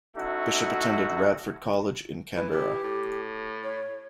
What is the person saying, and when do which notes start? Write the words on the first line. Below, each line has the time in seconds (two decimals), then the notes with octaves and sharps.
Bishop attended Radford College in Canberra.
0.16 A3 C#4 D#4 E4 F#4
2.36 E3 B4
2.52 G4
2.84 A2
3.64 C#5